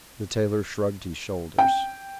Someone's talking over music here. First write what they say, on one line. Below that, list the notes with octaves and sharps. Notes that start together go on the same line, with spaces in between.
The tailor shrugged his shoulders.
G5